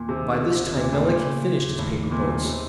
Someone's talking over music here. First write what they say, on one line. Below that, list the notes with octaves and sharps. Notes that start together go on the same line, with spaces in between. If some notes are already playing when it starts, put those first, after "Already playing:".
By this time Melick had finished his paper boats.
Already playing: D#2 A#2 A#3
C3 D#3
D#3
C3 A#3
D#2
D#2 A#2
D#2 A2
A#2 C#3
C#3
F#3
D#2
D#2 A2
D#2
D#2 A#2
A2
D#2
A#2
C3 A#3